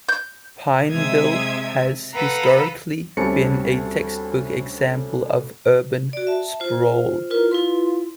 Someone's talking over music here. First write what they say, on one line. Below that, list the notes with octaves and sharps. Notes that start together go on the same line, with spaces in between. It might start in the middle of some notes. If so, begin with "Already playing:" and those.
Pineville has, historically, been a textbook example of urban sprawl.
G6
C3 G#3 E5 D#6 G#6
A4 B4 F5 F#5 A#5 B5
D2 G3 C4 C#4 A5 C#7
F#4 D5
E5 A5
F4 C5
E4 F4 A#4 B4
E4 F4 B4 C6